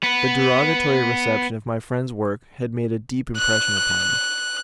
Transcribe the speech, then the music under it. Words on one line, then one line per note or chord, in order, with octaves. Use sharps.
The derogatory reception of my friend's work had made a deep impression upon me.
B3 B4
F#6